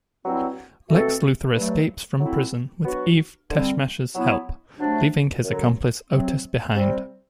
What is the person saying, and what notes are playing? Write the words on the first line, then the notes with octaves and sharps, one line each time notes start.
Lex Luthor escapes from prison with Eve Teschmacher's help, leaving his accomplice Otis behind.
G2 F#3 C4 E4
B2 A3 C4 F#4 A4
G2 F#3 A3
A2 F#3 C4 E4
F#3 B3 D4 F#4
D3 G3 C4
F#3 B3 E4
C3 F#3 A3 D4
F#2 D3 F#3
C3 F#3 C4
C3 G3 C4